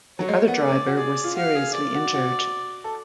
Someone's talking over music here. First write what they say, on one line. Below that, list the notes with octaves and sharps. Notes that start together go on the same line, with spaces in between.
The other driver was seriously injured.
F#3 C#5
G#3
B3
A3 D5
C#4
F#4
G#4 D5
F4
F#4 F5
G#4
D5
F#4
F#4
A4